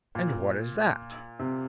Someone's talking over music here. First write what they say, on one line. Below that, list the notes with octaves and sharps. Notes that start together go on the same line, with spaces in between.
"And what is that?"
A#2
C3